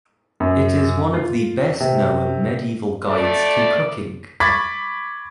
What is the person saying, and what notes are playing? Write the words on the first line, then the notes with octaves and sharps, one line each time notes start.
It is one of the best-known medieval guides to cooking.
F#2
F4
C3
F2 A3 D5
B5 C#6 D6 G#6 A6 B6